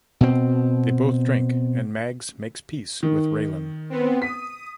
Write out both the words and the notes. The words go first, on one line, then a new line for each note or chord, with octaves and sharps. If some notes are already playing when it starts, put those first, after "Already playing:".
They both drink and Mags makes peace with Raylan.
B2 C4
D#3
B3 C4
D#6 B6